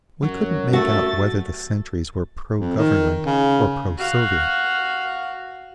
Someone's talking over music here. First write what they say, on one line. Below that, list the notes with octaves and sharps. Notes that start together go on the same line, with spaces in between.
We couldn't make out whether the sentries were pro-Government or pro-Soviet.
F#2 F#3
A3 F#4 A6
F2
D#3
C#3
F#4 F5